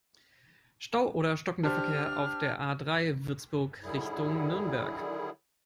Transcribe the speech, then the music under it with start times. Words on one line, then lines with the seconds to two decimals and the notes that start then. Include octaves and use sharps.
Stau oder stockender Verkehr auf der A-drei, Würzburg Richtung Nürnberg.
1.63 D4 G4 C5 F6
3.84 D3 D#3 F#3 G3 E4 G#4